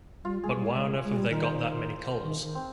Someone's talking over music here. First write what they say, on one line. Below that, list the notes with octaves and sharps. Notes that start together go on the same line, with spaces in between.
But why on earth have they got that many colours?
G3 F4
G#3 G#4
G3
G#3
G#3
G3
D#3 A#4
C5
D#3
D#3
C4